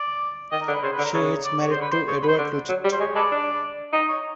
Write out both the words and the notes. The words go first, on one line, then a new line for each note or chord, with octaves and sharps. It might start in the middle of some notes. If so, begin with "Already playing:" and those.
She is married to Edward Lucht.
Already playing: D5
D#3 D#5
A#4
D3
B4
C#3 C5
B4
D3
A#4
C#3 E4 A#4 C#5
D5
C#5
C#3 C5
D3
B4
C5
C#3 C#5
B4
C5
D3
F#3
G3
C5
G#3 C#5
G#3 A4 B4 D5
D4
D#4 D#5
C#5